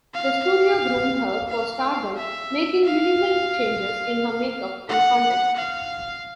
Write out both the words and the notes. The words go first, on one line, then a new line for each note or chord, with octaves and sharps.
The studio groomed her for stardom, making minimal changes in her makeup and conduct.
F5
F5
E5
F5
F#5
F5